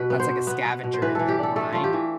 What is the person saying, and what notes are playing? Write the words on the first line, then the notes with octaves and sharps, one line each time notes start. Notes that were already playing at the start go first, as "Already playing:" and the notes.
that's like a scavenger in the brine.
Already playing: B2 B4
B3
C5
B2
B3
B3
B2
C5
E3 B4
E3 A4
G4
D4 A4
A3 A4
A3 F4
G4
E3